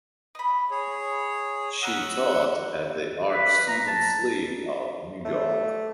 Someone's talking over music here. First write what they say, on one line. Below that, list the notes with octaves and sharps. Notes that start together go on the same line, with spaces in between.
She taught at the Art Students League of New York.
D#5 B5
G#4 C#5
D#5 F#5 A#5 E6 F6
B4
A#5
A5
A3